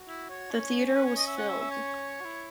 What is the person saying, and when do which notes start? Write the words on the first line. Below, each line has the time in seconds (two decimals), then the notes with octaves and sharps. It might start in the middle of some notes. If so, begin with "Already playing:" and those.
The theater was filled.
Already playing: F#4
0.08 E4
0.30 C#5
0.51 C#4
0.95 B4
1.06 C#5
1.17 D#5
1.27 E5
1.38 F#5
1.49 E5
1.60 E5
1.71 C#5
2.21 F#4
2.25 E4